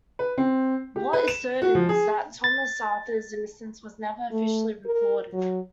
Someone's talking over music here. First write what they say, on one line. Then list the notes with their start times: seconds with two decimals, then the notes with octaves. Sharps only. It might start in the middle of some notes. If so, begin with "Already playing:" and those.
What is certain is that Thomas Arthur's innocence was never officially recorded.
0.19 B4
0.38 C4
0.96 G4
1.13 B4
1.28 E7
1.62 F#4
1.75 F3
1.89 G#4
2.44 A6
4.31 A3
4.86 A#4
5.33 F#3